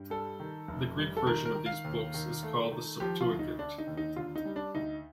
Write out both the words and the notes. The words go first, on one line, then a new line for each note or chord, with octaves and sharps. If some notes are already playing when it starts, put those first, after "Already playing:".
The Greek version of these books is called the Septuagint.
Already playing: G2
G3 A4
D#3
F1
G3
A4
D#3 A#4
A#4
D#3
F5
D#2
D#3
A3
D#3
F3 G4
F4
D2
D#4
D3 D4
D#4
D#2
D#4
D3 F4
D#4
G3
D4
D2 D#4